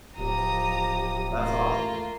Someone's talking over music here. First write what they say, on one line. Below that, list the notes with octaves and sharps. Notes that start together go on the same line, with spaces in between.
That's awesome.
D1 F3 G4 A#5 D#6
A1 A3 A#3 F4